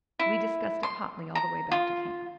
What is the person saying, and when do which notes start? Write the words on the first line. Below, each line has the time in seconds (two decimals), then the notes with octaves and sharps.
We discussed it hotly all the way back to camp.
0.19 E4
0.83 C6
1.35 A#5
1.72 F4